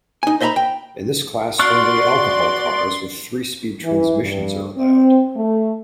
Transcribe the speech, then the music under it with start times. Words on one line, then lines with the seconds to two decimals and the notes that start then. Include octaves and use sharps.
In this class only alcohol cars with three-speed transmissions are allowed.
0.23 D#4 G#5
0.41 C5 D#5 E5 G#5 A#5 B5
0.56 G5
1.59 F#4 D5 C6 C#6 F6 F#6
3.83 E3
4.22 G2
4.76 C4
5.36 A3